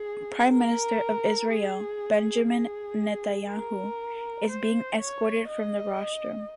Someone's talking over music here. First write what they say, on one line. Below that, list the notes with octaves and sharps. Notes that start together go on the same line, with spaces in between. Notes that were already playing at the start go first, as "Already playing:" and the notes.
Prime Minister of Israel, Benjamin Netanyahu, is being escorted from the rostrum.
Already playing: G#4
A#4
G#4
G#4
A#4
C5
C#5
D#5